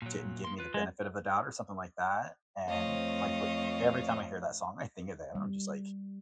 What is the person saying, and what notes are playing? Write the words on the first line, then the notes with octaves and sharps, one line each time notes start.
didn't give me the benefit of a doubt or something like that. And, like but every time I hear that song, I think of them, I'm just like,
A#2 F#3
A#3 C6
F4 B4
G#3
F2 A3 C4 C#5 D#5 F5
G3